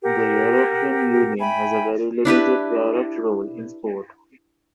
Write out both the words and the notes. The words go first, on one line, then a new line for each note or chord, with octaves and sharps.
The European Union has a very limited direct role in sport.
G4 A#4 F#5
E5 G5 G#5 B5
D4 E4 G4 B4